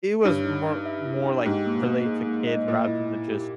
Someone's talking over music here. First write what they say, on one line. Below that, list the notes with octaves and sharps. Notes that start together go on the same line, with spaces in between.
it was more more, like, relate to kids rather than just
G2 C#5
D#4
D#4
E5
E4
G5
G#2 G4
A#3
A#3
G#4
A#3
D#5
A#2 D#5
E4
E4
G4